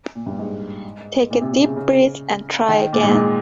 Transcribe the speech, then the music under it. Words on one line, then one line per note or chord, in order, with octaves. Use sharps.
Take a deep breath and try again.
A#2
G2
G#2
A#2
C3
C3
C#3
C#3
D#3
A#2
G#2
A#2
G#2